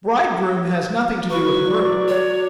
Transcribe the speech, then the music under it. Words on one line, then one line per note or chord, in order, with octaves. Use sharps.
Bridegroom has nothing to do with groom.
F#3 B4 C#6
D5
C#5